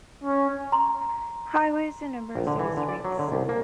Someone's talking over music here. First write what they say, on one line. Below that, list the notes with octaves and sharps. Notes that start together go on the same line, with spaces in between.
Highways and numerous city streets.
C#4
A#5 C6
A#1
D3
E3
D3
D5
F#3
D3
C2
A#3